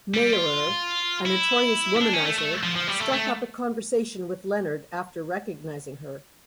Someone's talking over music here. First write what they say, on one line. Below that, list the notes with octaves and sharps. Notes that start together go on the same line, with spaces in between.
Mailer, a notorious womanizer, struck up a conversation with Leonard after recognizing her.
G3
F4
E4
E4
D4
C#4
A3
A3
F3
F3
G3
A3
A3